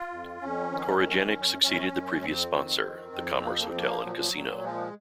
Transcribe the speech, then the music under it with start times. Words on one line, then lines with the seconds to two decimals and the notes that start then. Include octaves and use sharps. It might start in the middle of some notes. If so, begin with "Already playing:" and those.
Coregenx succeeded the previous sponsor, The Commerce Hotel and Casino.
Already playing: F4
0.12 F2
0.42 F2 C#4
0.72 D#3
1.02 F#2
1.32 F#2
1.62 F#2 C#4
1.92 F#2
2.22 F2 C4
2.52 D#3
2.82 F2
3.12 F2
3.43 F3 A#3
3.51 C4
3.59 A#3
3.68 C4
3.73 F3 A#3
4.02 A#2 F#3
4.22 F#3
4.33 A#2
4.63 F3 G#3